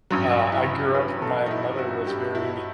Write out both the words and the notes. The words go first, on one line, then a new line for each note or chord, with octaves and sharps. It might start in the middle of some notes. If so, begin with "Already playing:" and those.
Uh, I grew up my mother was very,
A1 G2 F#3
E4
B4
A4
D#4
E4
F#4
G4
E4